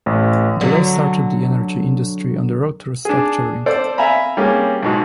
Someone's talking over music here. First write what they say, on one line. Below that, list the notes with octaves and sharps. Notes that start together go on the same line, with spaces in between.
The law started the energy industry on the road to restructuring.
A1
D3 F#3
D4 G#4
A4 C5 D5
E5 F5 G#5 A#5 B5
G3 A#3 C#4 G#4
B1 G#2 F#4